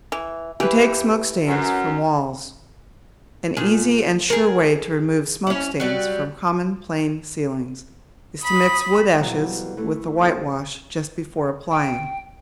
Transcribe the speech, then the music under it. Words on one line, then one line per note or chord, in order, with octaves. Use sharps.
To Take Smoke Stains from Walls.--An easy and sure way to remove smoke stains from common plain ceilings is to mix wood ashes with the whitewash just before applying.
E3
E3 G4 B4
F#2
A#2 G#4
G#4 A#4
C#4 E4
F#3 G3
B5 D#6
F2 B2 E3 F#3 G3
E3 A3
D#2 C4
G5